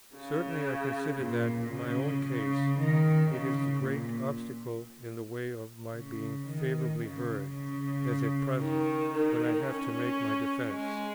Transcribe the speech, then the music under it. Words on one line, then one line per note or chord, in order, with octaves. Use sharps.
Certainly I consider that, in my own case, it is the great obstacle in the way of my being favourably heard, as at present, when I have to make my defence.
C#3
A#2
C#3
C#3
D#3
C#3
A#2
C#3
D#3
C#3
C#3
D#3
D#3
C#4
G#3